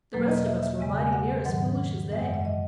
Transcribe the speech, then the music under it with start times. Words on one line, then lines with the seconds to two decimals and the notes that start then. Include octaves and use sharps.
The rest of us were mighty near as foolish as they.
0.13 E2 B2 F#3 A#3 B4
0.30 D#5
0.46 E5
0.63 E5
0.79 E2 C#3 G#3 E5
0.96 G#5
1.13 F#5
1.45 G#2 D#3 F#3 F#5
2.11 F#2 E3 G#3 E5
2.23 F#5
2.34 E5
2.45 D#5